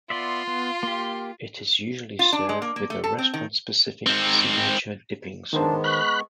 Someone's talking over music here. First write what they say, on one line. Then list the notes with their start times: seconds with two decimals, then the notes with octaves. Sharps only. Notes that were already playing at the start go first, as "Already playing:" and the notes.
It is usually served with a restaurant-specific signature dipping sauce.
0.10 B3 F4 D5 E5 C6
0.47 B3
0.83 A#3 G4
2.19 F4
2.33 D4
2.49 G#3
2.62 A#3
2.76 A#3
2.90 A3
3.04 A4
3.18 C4
3.34 D#3
4.06 G#2 C4
5.53 D#3 G#3 B3 D4 A#4 C5 A5
5.84 B5 C#6 F#6